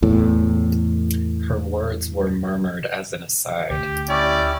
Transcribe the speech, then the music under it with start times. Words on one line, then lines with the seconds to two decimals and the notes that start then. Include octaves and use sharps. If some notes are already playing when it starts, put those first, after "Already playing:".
Her words were murmured as an aside.
0.02 E2 A2
3.70 D2 G4
4.09 C#4 E4 G4 D5